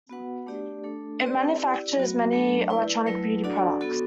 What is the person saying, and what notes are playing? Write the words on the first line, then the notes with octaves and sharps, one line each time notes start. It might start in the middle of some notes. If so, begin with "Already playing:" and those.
It manufactures many electronic beauty products.
B3 F#4 B4 F#5
A3 D4 G4 D5
A3 D4 A4
C4 G4 B4 D5
E4 G4 D5
F#3 B3 F#4
F#3 A3 D4 A4
E4 B4 D5
F#3 A3 E4 B4
D4 F#4 A4 D5 F#5
B3 F#4 A4